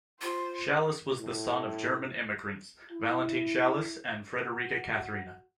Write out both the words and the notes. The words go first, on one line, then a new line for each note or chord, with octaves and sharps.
Shallus was the son of German immigrants, Valentine Schallus and Frederica Catherina.
F4 C5
A2
E4
F#4